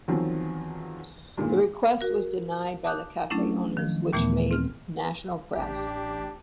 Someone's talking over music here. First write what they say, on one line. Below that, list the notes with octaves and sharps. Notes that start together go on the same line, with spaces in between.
The request was denied by the cafe owners which made national press.
E2 D#3 F3 F#3 C4
G2 A#2 D#3 G#3
F#4 A#4
A5 D6 D#6 F#6 G6
F#3 A3 C#4 D4 E4
D#3 F3
D#2 A#2 E3 A3 B3
C4 F6
A1 D4 G4